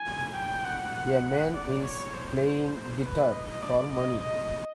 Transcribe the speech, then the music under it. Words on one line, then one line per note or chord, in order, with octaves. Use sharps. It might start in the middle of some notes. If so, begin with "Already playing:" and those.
A man is playing guitar for money.
Already playing: G#5
G5
F#5
D5
C#5
C5
B4
D#5
D5
D#5
D#5